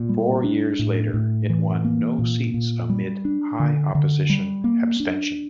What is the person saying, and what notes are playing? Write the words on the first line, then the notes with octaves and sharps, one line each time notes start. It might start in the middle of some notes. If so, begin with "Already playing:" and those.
Four years later, it won no seats amid high opposition abstention.
Already playing: A#2
G3
D4
A2
A2
E3
A#3
A#2
A#2
G3
D4
D3
D3
G3
A#3
D4